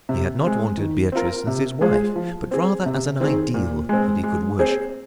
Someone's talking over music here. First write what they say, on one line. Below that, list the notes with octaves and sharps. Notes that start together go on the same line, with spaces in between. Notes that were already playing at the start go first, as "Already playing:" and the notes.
He had not wanted Beatrice as his wife, but rather as an ideal that he could worship.
C3
G#3 C4
D#3
C4 F4 A#4
C3
G#3 F4 G#4 C5
F3
C4 G#4
C3
D#3 C4 G#4
A#2
G#3 C4
G#3
C4 G#4 C5